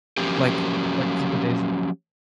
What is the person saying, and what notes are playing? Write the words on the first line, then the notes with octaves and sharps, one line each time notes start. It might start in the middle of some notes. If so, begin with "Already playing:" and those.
like like, couple days ago.
F3 F#3 A#3 C#4 G4